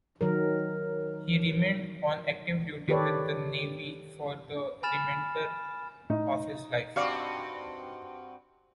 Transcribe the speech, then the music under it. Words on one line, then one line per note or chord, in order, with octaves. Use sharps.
He remained on active duty with the Navy for the remainder of his life.
D#3 F#3 A#4
D#3 G4 A4 B4 C#5 D5
G#5 B5 F6 A6 E7
A2 D#4
G2 C4 F#4 D5 F5 C#6